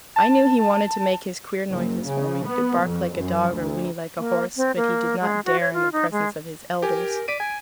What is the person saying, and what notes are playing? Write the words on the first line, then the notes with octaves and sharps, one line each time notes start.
I knew he wanted to make his queer noises for me--to bark like a dog or whinny like a horse,--but he did not dare in the presence of his elders.
A5
F#1
C#3
B3
F2
F#2
D2
A#3
C4
A#3
G#3
F#4
C#5
F4
D#4
G#3
G4 A#4 G#5
D5 B6 D7 D#7
G#5